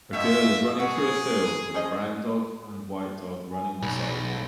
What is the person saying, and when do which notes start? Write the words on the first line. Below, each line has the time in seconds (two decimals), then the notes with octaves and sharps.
A girl is running through a field with a brown dog and white dog running beside her.
0.13 B2 D#3 F4 E5
0.79 B3 F#4 G#4
1.74 C#4 C5 D#5
3.51 G#5
3.82 B1 B5